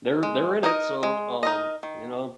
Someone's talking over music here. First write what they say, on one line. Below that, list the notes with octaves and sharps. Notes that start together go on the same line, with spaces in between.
they're they're in it. So, um, you know?
G#3
D#4 A#4 D#5
G#3
D#4 A#4 D#5
D#3